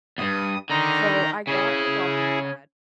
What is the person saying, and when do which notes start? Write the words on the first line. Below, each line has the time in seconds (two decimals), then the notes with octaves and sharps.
So, I got a walking pad
0.18 E2 G2 D#6
0.70 D3 D#3 D#4 A#5
1.47 C#3 C#4 E4 G#4